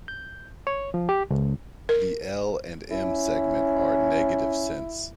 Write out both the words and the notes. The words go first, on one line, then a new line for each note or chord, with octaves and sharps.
The L and M segment are negative sense.
G6
C#5
F3
G4
C#2
A#4
C#4 E4